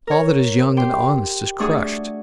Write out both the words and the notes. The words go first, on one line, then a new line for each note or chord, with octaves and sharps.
All that is young and honest is crushed!
A#4 C#5
G4 G5 C6
A3 D4 F#4 G#4